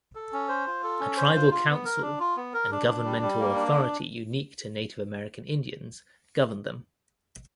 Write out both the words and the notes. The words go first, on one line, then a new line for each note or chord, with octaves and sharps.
A tribal council and governmental authority unique to Native American Indians govern them.
A4
C#4
C5
F4
A4
C#4
C5
F4
F4
B3
A#4
D4
F4
B3
A#4
D4
D4
G3
G3
A#3
D4